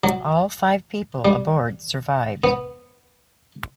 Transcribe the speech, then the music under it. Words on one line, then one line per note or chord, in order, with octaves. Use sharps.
All five people aboard survived.
F#3
G3
B3